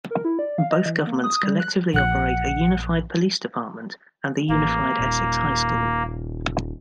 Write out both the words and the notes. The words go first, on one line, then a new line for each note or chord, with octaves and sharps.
Both governments collectively operate a unified police department and the unified Essex High School.
A#4
E4
D5
F5
D#5
E3
A#3
D#6
G3
F#6
A#1 F#5 F#6
A1 A#3
D#1